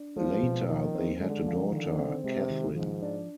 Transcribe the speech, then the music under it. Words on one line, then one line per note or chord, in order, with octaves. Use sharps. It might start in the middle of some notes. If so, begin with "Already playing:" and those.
Later they had a daughter, Kathryn.
Already playing: D4
F3 G#3
B2
D#3 F3
C4
D3 G#3
F3
D3 D#3
C4
C3 G#3
D#3
G#2 F3
D4